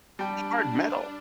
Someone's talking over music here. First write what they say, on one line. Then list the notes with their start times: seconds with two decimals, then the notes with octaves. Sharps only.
hard metal.
0.19 G3 D4 G5 A5